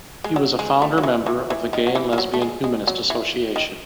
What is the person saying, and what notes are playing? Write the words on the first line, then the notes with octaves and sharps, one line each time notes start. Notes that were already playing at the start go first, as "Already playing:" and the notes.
He was a founder member of the Gay and Lesbian Humanist Association.
G#3
F#3
G#3
A3
F#3
E3
E3
E3
D#3
F#3
E3
E3
F#3
A3
G#3
G#3
F#3
E3
D#3